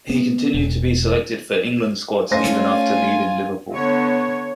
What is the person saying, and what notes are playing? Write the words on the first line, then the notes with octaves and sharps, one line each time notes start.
He continued to be selected for England squads even after leaving Liverpool.
B3
E1
A3 C#4 F4 C5 G#5 A#6
D3 B3 C#5